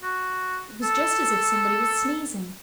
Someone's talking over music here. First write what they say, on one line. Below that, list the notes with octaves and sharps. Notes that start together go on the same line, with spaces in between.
It was just as if somebody was sneezing.
F#4
A4